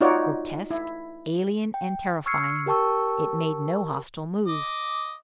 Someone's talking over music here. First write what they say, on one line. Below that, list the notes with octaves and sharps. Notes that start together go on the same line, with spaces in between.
Grotesque, alien and terrifying, it made no hostile move.
D#4 F4 F#4 C#5 D5
E4
G5
C#6 E6 F6 G#6 C7 C#7
G4 A#4 G5 A5 C#6 E6
D#5 D6